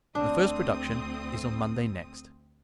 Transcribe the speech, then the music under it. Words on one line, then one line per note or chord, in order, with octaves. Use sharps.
The first production is on Monday next.
D2 C4 D4 D#6